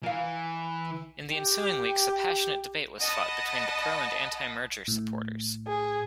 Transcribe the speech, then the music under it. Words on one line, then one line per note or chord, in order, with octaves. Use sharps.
In the ensuing weeks, a passionate debate was fought between pro and anti-merger supporters.
E3 A#4 F5
G4
D#5 F#5 A5 B5 D#6 A#6
A2
G#4